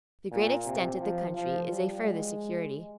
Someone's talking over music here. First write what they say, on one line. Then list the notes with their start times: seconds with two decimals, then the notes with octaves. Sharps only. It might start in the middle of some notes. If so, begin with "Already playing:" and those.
The great extent of the country is a further security.
0.31 A#2
0.66 C3
1.00 F3
1.35 F3
1.70 G3
2.04 G#3